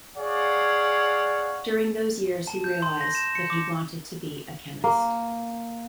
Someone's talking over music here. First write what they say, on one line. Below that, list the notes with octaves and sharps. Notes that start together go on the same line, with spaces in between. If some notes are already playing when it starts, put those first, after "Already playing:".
During those years he realized that he wanted to be a chemist.
G#4 C#5 D5 F5 F#5
A5
G6
C6
A#6
E7
C#7
D6
A#3